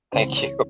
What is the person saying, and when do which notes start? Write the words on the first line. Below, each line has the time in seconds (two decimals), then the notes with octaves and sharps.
Thank you.
0.13 C#2 C#3 E3 C4 C5
0.37 C#5